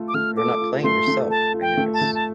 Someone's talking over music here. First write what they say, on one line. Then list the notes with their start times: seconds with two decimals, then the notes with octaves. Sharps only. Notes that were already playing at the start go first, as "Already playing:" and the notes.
You are not playing yourself, I notice.
Already playing: A3 F4 A4
0.08 D6
0.14 A3 F6
0.37 A4 D6
0.61 F4
0.84 A3 C6
1.08 A3
1.31 A4 A5
1.54 F4
1.61 G5
1.77 A3
1.93 A5
2.02 A3
2.15 A5